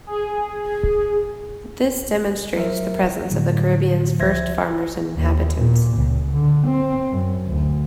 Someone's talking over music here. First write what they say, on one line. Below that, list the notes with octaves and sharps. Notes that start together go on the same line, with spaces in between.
This demonstrates the presence of the Caribbean's first farmers and inhabitants.
G#4
F#3 A#4 C5 E5
A2 D3 F#3
C#2 F3 C5 E5 G#6 A#6
D#2
A#2
C#2
D3
C4
F#2
D2